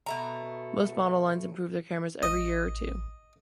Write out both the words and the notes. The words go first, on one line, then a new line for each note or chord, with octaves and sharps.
Most model lines improve their cameras every year or two.
B2 A3 A#5
A1 D#5